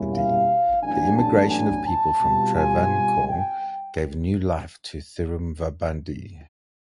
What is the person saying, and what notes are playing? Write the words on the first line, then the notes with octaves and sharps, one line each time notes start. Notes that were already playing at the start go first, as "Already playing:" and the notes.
The immigration of people from Travancore gave new life to Thiruvambady.
Already playing: B2 G3 A#3 C#4 E4
F5
A1 A2 F#3 B3 D4 G#5
A5
G#5
A5
B2 G3 C4 F4
G#5
G5